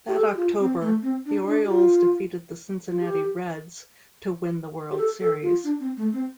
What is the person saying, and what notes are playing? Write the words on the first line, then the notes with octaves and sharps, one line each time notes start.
That October, the Orioles defeated the Cincinnati Reds to win the World Series.
G4
A4
G4
F4
C4
A3
C4
D4
F4
D4
G4
F4
F4
G4
G4
A4
A4
F4
D4
C4
A3
C4